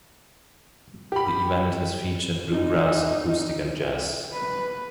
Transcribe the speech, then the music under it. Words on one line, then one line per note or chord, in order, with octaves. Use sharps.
The event has featured bluegrass, acoustic and jazz.
G4 B5
D#4
B4